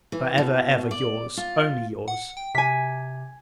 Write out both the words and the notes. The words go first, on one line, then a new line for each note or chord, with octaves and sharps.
For ever, ever, your's, only your's.
E3
B2
D5
F4
F#5
G5
C3 G#5 B6